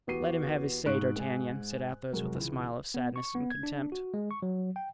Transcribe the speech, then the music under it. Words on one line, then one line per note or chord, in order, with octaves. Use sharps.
"Let him have his say, D'Artagnan," said Athos, with a smile of sadness and contempt.
E2 B3 F#4 G4 C7 D#7
G#2 D#4 C#6 F#6 D7
G#2 G#5
F1 F#3 G#3 A#4
C#2 E3
B3
C#6
B3
G#6
D4
F#4
G#3
C#6
F#3
G5